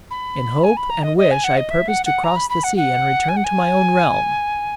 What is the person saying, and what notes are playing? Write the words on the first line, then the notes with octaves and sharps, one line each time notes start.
In hope and wish I purpose to cross the sea, and return to my own realm.
B5
G#5
B5
A#5
D#5
D#5
G#5
F#5
D#5
E5
F#5
F#5
A#5
B5
B5
F#5
F#5
G#5
F#5
G#5